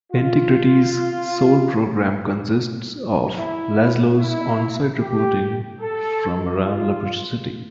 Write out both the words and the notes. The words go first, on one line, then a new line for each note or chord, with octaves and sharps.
Integrity's sole program consists of Lazlow's on-site reporting from around Liberty City.
F4
E4
E4
G4
A4
F4